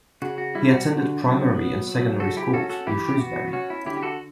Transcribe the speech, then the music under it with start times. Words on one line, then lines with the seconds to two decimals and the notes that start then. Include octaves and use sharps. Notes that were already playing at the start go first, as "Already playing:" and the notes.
He attended primary and secondary schools in Shrewsbury.
0.22 C#3 F#4
0.38 F#4
0.55 G3 E4
0.71 F#4
0.88 D3
1.22 F#3
1.54 B3
1.87 F#3
2.20 C#3 F#4 A4
2.37 E4 G4
2.53 C#4 F#4 A4
2.70 F#4 A4
2.86 E3 E4 G4
3.08 G4
3.20 B3 F#4
3.53 C#4 F#4
3.70 E4
3.86 D3 E4 G4
3.97 G4
4.02 F#4 A4